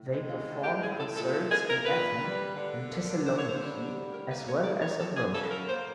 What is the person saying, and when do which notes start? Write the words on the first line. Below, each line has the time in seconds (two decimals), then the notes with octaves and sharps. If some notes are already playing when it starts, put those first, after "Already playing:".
They performed concerts in Athens and Thessaloniki as well as abroad.
Already playing: A2
0.11 G#3 C4
0.29 F4
0.46 A2
0.63 G4
0.81 E3 G#4
0.98 A4
1.16 A#2 A4
1.33 A4
1.51 A#3 G#4
1.69 A#4
1.85 A#2 B4
2.20 G3
2.55 D3
2.90 A#3
3.25 D3 C5
3.36 C#5
3.48 C5
3.59 G3
3.94 A2
4.11 A#4
4.29 A#3 B4
4.47 C#5
4.63 A2 D5
4.80 C#5
4.98 F#3 A4
5.15 G#4
5.34 C#3 A4
5.51 A#4
5.67 A#3 C5